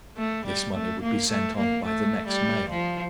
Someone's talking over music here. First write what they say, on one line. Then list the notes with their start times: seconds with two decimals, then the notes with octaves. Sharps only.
This money would be sent on by the next mail.
0.17 A3
0.45 G3
0.73 A3
1.02 A#3
1.30 A3
1.57 A#3
1.85 A3
2.28 G3
2.70 F3